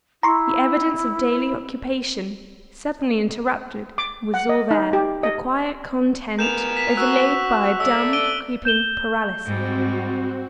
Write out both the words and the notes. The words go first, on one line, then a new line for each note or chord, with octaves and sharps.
The evidence of daily occupation, suddenly interrupted, was all there--a quiet content, overlaid by a dumb, creeping paralysis.
E4 A#5 C6 C#6
D6
F#5
D#5
D#4
G4
D#5
B3 A#4 G#5 G6 E7 F7
B6 E7
F#4 E6 F#6
A4 D5 E5 E6
D7 D#7 G7
G6 E7 G7
G#2 G3 C4 F#4